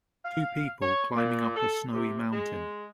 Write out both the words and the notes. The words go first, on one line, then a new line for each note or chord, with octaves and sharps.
Two people climbing up a snowy mountain.
F5
C#5
A#2
A4
C3
G#3